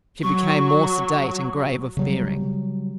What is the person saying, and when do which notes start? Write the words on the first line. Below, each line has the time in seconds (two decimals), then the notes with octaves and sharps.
She became more sedate and grave of bearing.
0.24 F#3 C#6
1.97 C#3 F#3 G3